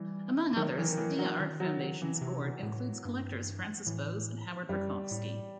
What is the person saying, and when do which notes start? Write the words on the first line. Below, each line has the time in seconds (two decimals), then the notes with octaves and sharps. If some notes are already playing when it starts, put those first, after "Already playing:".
Among others, the Dia Art Foundation's board includes collectors Frances Bowes and Howard Rachofsky.
Already playing: E3 G3
0.56 D#3 F#3
0.78 E3
0.98 E3
1.18 F#3
1.40 D#3
1.60 F#3
1.80 F#3
2.02 E3
2.21 C3
2.63 A2
3.05 G2
3.86 A2 E3
4.69 F#2 G3
5.11 A2